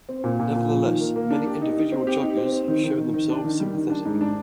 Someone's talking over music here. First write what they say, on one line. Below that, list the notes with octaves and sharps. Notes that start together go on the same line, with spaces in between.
Nevertheless, many individual judges have shown themselves sympathetic.
C4
A#2
A#2
A#2
F3
D#3
A#3
A#3
D4
G4
D#4
D#4
C4
G4
D#4
C4
C4
D#3
D#3
D#3
D#3
D4
D#3
G3
D#3
D4
G#2
D4